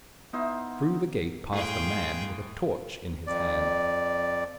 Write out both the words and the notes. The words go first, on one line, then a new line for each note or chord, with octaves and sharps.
Through the gate passed a man with a torch in his hand.
B3 D#4 E4 C5
A2 G#4 F5 G5 C6
F2 D5